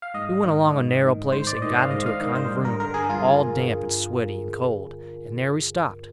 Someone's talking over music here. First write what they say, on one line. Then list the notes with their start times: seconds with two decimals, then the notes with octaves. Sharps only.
We went along a narrow place and got into a kind of room, all damp and sweaty and cold, and there we stopped.
0.02 F5
0.14 G#2 D#5
0.44 D#3
0.73 G#2
1.03 D#3
1.32 G#2 C5
1.47 D5
1.62 D#3 D#5
1.76 F5
1.91 G#2 D#5
2.06 F5
2.21 D#3 D#5
2.35 C5
2.51 G2
2.65 A#4
2.80 D3 A#4
2.94 G#4
3.09 G2 F4